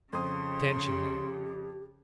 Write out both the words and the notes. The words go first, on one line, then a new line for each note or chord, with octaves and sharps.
"Attention, then!"
F2 C#3 C6 D#6
G4